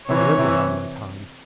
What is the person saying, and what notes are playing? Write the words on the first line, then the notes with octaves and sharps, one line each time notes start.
"I am behind my time."
C3 E3 C#5
C3 E3